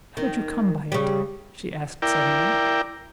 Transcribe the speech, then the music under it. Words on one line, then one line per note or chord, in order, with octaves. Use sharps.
"How did you come by it?" she asked, suddenly.
D#3
C#3 G3
E4 A#4 D5 G5